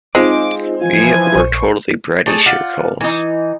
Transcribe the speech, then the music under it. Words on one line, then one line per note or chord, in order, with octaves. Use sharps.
"We were totally bratty," she recalls.
G#3 C4 D#4 F4 G#4 D6
E3 F3 F4 G#5
A#1 C5 C#6
A3 D4 G#4 A4
D4 F4 F#5
E3 D#4